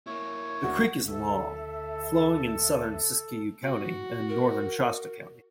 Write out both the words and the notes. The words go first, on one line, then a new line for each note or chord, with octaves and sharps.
The creek is long, flowing in southern Siskiyou County and northern Shasta County.
A#3 E4 C#5
D2 F#4
D2 A4 E5
F#4
A#4